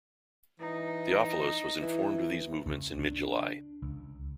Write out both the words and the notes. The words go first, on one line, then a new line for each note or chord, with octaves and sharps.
Theophilos was informed of these movements in mid-July.
E3 D#4
E3
C#2
D4
C#2